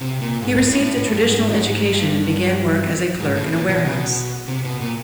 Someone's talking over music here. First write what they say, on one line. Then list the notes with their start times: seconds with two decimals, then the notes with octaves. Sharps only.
He received a traditional education and began work as a clerk in a warehouse.
0.01 C3
0.21 A#2
0.42 G#2
0.65 A2
0.80 A2
0.97 A2
1.13 G2
1.29 G#2
1.54 A2
1.60 G#2
1.92 G2
3.20 G#2
3.36 A2
3.48 B2
3.52 A#2
3.68 B2
3.85 B2
4.48 C3
4.65 B2
4.81 A#2